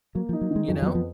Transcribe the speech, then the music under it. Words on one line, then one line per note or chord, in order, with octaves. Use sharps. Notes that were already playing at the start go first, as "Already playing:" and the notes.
You know?
F#3 A#3
F3
D#4
F#3
D#3
G#3
F2 F#3
F#3
B3
F3